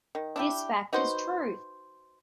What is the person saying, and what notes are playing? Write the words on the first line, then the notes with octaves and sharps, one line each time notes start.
This fact is truth!
D#3
D4 E4 G4
D#4 F#4 B4 C5